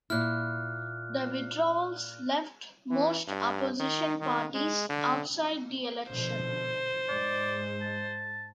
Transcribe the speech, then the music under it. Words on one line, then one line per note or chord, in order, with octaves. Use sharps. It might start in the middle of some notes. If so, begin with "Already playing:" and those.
The withdrawals left most opposition parties outside the election.
A#2 E4 F6 F#6
E3
G2
D#3
D#3
G#3
D3
B2 D3 F3 C5
G#2 G#3 D5
A5